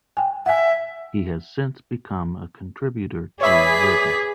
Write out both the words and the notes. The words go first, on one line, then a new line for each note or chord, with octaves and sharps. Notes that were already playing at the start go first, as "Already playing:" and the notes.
He has since become a contributor to Rhythm.
G5 G#5
E5 F#5 G#5
G#4 B4 C#5 D5 E5 B5 B6